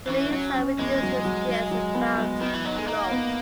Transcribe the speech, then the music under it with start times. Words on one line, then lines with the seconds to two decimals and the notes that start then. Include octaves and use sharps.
The leaves are reduced to scales about long.
0.09 E3 C#4
0.32 F#3 C#4
0.56 C#4
0.79 E2 G#3
1.03 F#3
1.25 F#3
1.48 F#3
1.71 F#3
1.95 B3
2.17 F#3
2.41 D#3 B3
2.54 E3
2.65 F#3 D#4
2.76 G#3
2.87 A#3 D#4
3.11 B3